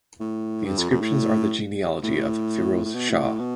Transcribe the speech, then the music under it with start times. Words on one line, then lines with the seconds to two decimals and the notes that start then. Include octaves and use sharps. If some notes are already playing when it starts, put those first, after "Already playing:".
The inscriptions are the genealogy of Firoz Shah.
0.20 A2
0.66 G2
0.78 F2
0.90 F2
1.01 A2
2.03 A2
2.85 A2
2.94 B2
3.09 A2
3.24 A2
3.40 B2